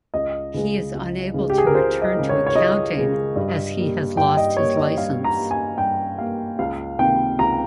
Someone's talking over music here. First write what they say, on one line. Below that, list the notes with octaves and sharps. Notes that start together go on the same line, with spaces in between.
He is unable to return to accounting as he has lost his license.
C#2 D#5
C#3 G#3
C#2
C#3 G#3
G4
G#4
A#4
C#2 C5
D#5
C#3 G#3
C#5
C#5
C#2 D#5
C#3 G#3
G2
G3 A#3
G2 G5
D#5
G3 A#3 C#5
D#5
G2 F5
A#5
G3 A#3
G#5
G2 G5
G3 A#3 F5
C#2 F5
C3 D#3 A#3 G5
C#2 A#5